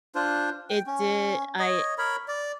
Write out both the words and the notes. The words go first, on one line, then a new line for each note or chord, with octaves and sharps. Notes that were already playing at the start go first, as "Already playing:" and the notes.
it did I
D4 F4 C5
G5
C#4
C#5 D#5
A#4 C#5 B5
D5